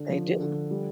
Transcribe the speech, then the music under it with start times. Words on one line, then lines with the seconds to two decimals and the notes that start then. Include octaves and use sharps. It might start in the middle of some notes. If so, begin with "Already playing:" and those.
They do.
Already playing: D3 D4
0.09 F3
0.40 D3
0.71 G3